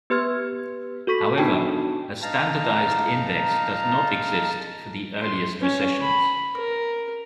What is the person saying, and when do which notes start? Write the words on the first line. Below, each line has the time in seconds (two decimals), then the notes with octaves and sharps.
However, a standardized index does not exist for the earliest recessions.
0.10 B3 G4 B4 C6 F6 G#6
1.07 F#4 A4 C#6 B6
1.38 B3 D4 D#4 F#4 G5 A5
2.22 D#4 F5 A5 A#5
5.22 C6
5.61 C#4
6.01 B5
6.56 A#4